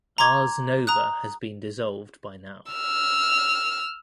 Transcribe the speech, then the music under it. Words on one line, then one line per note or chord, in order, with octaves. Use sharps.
Ars Nova has been dissolved by now.
A#5 C6 D6 G#6
A#5 D#6 F#6
E6 F6